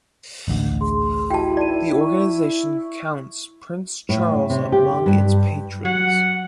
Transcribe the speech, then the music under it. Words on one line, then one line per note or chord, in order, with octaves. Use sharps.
The organization counts Prince Charles among its patrons.
A1 D2
G#4 C6
E4 F#4 G4 D#5 G5 A5
D#4 B4 D5 D#7
C#6
A2
C3
G4
G2
F#3 F#5